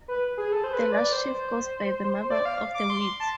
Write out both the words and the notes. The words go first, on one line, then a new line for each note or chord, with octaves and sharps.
The last sheaf goes by the Mother of the Wheat.
B4
G#4
A4
C5
B4
D5
C5
D5
F5
D6
C6
A5